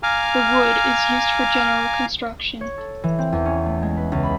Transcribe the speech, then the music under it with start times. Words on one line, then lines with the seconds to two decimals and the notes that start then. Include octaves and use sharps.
The wood is used for general construction.
0.03 F5 G#5 A#5 D6 F6
2.61 C#5
2.78 A4
3.04 E3
3.19 C4
3.33 E2
3.45 C#4
3.66 A3
3.83 G#3
3.97 B4
4.12 C#2
4.23 B5